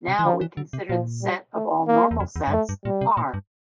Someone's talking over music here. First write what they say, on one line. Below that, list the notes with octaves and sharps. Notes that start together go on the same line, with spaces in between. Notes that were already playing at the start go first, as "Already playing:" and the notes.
Now we consider the set of all normal sets, "R".
C3
E3
D3 F3
E3
D3
C3
A#2 F3
G3
A3
A#3
E2
F2
E2
G2
F2 A3
G2
A#2 G3
C3
A#2
G2